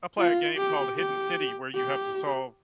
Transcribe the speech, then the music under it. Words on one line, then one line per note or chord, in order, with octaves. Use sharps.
I play a game called The Hidden City where you have to solve
F4
G4
G4
G4